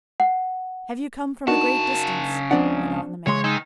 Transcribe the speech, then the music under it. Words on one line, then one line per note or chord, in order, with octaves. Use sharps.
"Have you come from a great distance?" went on the man.
F#5
C#3 D4 D#4 F#4 A#4 A5
C#2 F3 C4 D4 D5 F#5
C#3 G#3 C#5 C6
D#3 D#4 G#5 E6 G6